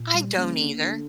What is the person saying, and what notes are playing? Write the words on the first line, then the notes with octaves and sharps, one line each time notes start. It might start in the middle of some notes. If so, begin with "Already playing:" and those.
I don't either.
Already playing: A#2
G3
C#3 A#3
D4
D3 A#3